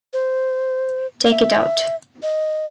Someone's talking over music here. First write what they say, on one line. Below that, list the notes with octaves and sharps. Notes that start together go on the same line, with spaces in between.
Take it out!
C5
E5
D#5